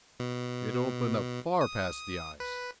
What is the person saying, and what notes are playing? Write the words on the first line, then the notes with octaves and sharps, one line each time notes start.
It opened up far past the eyes!
B2
D#6
B4